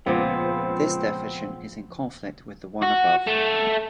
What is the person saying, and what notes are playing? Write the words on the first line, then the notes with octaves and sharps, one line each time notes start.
This definition is in conflict with the one above.
C#2 A#2 F3 B3 C4 F4 C5
F#4
A3